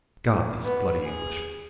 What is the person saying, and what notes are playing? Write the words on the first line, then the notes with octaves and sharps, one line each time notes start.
God, these bloody English!
B3
G#4